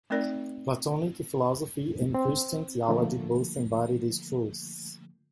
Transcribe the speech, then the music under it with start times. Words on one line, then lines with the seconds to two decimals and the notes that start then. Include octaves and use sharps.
Platonic Philosophy and Christian theology both embody this truth.
0.10 A3 C4 D#4 A#4 D5
2.14 C4
2.88 D3 F3 A3 A#3